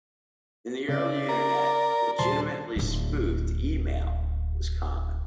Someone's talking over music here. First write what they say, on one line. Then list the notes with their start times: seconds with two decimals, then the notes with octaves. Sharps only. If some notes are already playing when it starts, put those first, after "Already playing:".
In the early Internet, "legitimately spoofed" email was common.
0.88 C#3 D5
1.29 A#4
2.19 D#1 C5 A5
2.76 D1 B3